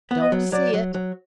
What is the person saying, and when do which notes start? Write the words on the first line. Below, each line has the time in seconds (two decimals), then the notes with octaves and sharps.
'Don't see it.
0.11 B3
0.21 D#5
0.32 F#3
0.52 F#3 D5
0.74 F#3
0.94 F#3